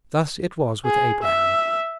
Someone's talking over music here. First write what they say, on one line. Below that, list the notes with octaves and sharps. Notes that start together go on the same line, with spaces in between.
Thus it was with Abraham.
G#4
E5